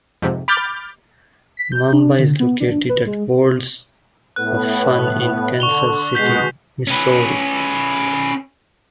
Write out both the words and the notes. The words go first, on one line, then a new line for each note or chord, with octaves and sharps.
Mamba is located at Worlds of Fun in Kansas City, Missouri.
F2 G#2 C3
B5 D6 F6 G6 A6
B6
G6
D4
D3
B3
D4
B4
G#3
A2 B3 F#6
D3 C#6 F7 G7
B2 G#3 F#4 G6 B6 C7
C#4 B4